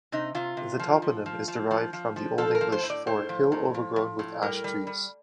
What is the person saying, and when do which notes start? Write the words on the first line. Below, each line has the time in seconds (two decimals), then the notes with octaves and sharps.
The toponym is derived from the Old English for "Hill overgrown with ash trees".
0.12 C3 D#4
0.35 C3 F4
0.57 C3
0.80 F3
1.02 F3
1.26 F3
1.48 F3
1.71 F3
1.93 F3
2.16 F3
2.38 F3 A4
2.55 A#4
2.61 F3
2.72 C5
2.83 A2
2.90 D5
3.07 A2 C5
3.29 F3
3.52 A2
3.74 F3
3.96 F3
4.19 A2
4.42 G3 A#4
4.64 G3
4.87 G3